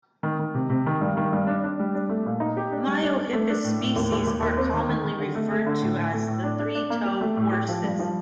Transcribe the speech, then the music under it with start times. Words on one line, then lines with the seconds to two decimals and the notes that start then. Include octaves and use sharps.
"Miohippus" species are commonly referred to as the three-toed horses.
0.23 D#3
0.39 D#3
0.55 C3
0.70 C3
0.86 D#3
1.01 G2
1.17 D#3
1.32 G2
1.47 D4
1.64 D4
1.79 G3
1.95 D4
2.09 A3
2.26 A#2
2.40 D#4
2.57 G4
2.72 D4
2.87 G3
3.03 D4
3.19 D4
3.33 A3
3.49 D4
3.64 A2
3.81 A2
3.96 D#2
4.12 D#2
4.27 D#2
4.42 D#2
4.58 C4
4.74 D#3
4.89 D#3
5.05 D#3
5.20 D3
5.35 A3
5.51 A3
5.66 D3
5.82 A2
5.97 A2
6.13 A3
6.28 A2
6.44 D4
6.59 D4
6.75 D4
6.90 A#3
7.05 G4
7.21 A3
7.37 A2
7.52 G4
7.68 F3
7.84 G2
7.99 F3